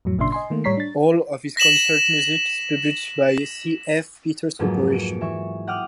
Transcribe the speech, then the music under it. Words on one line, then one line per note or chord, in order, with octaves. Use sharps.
All of his concert music is published by C. F. Peters Corporation.
F2 A2 F#3
G#1 A#2 C#3 D4 E5 C6
D#5 G#5 C6
D#3 A3 A#3
A2 G3 C#5 A#5 B6 C7
D4 A6
A#6 B6 E7 F#7
F2 G#2 F#3 A#3 B3
C#7 D7
E3 E5 C#6
F#5 G5 D6 D#6 F6 F#6